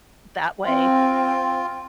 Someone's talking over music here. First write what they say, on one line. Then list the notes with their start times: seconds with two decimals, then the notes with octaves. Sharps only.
that way.
0.66 C4 F4